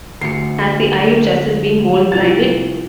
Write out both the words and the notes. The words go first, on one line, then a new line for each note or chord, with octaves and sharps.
Has the eye of Justice been mole-blinded?
D2 C7 C#7
C2 F3 A6